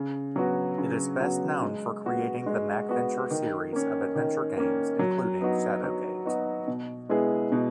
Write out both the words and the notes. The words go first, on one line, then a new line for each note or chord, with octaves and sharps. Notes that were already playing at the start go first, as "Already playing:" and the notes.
It is best known for creating the MacVenture series of adventure games including Shadowgate.
Already playing: C#3
F#3 B3 F#4
C#3
F#3 B3 F#4
G#3
B3 F#4
G#3
B3 F#4
D#3
A#3 C#4
D#3
A#3 C#4
F#3
B3 D#4 F#4
F#3
B3 D#4 F#4
B2
G#3 B3 E4 G#4
B2